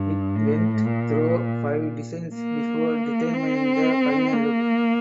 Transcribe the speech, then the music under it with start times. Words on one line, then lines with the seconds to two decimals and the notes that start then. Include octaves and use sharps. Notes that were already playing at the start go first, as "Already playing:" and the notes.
It went through five designs before determining the final look.
Already playing: G2
0.35 A2
0.85 A#2
2.34 A#3
3.33 C4
4.33 A#3